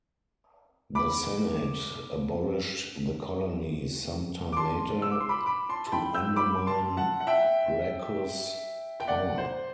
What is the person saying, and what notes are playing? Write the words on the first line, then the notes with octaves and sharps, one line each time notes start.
The Senate abolished the colony some time later, to undermine Gracchus' power.
B5 D6
D6
A5 C6
E6
D6
C6
B5 D6
B5 D6
A5 C6
A5
G5 B5
E6 G6
B5 D6
A5 C6
F#5 A5
F#5
E5 G5
G5
D5 F#5
C5